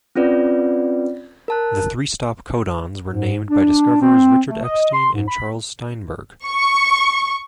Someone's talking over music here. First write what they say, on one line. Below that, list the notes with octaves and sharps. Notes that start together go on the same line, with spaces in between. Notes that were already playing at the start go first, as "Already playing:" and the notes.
The three stop codons were named by discoverers Richard Epstein and Charles Steinberg.
C4 C#4 F4 B4 D5
A#4 A5 F#6
G#2
D4
C4
A3
D#5
C6
G#2
B5
C#6